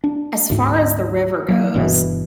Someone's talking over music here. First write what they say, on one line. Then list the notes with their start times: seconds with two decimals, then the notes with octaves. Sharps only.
As far as the river goes,
0.04 D4
0.50 D2 G#2
1.49 F#3 A3 A#3
1.74 G1 G2 B2 E3